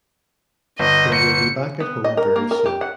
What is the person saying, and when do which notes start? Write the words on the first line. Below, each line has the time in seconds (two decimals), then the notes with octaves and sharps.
They will be back at home very soon.
0.79 G1 D#5
1.15 C#7
1.80 B3
2.04 D#5
2.17 A#4
2.36 A#3
2.51 A#4
2.66 G4
2.81 F#5